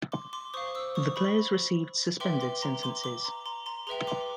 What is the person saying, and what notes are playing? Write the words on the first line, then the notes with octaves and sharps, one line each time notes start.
The players received suspended sentences.
C6 D6
C6 D6
C5 F5 C#6 D#6
D6 E6
C#6 D#6
B5 C#6
B4 E5 G5 C6 D6
C6 D6
A#5 C6
C6 D6
C6 D6
A#5 C6
A#5 C6
A#5 C6
G#4 B4 E5 G5 A#5 C6
C6 D6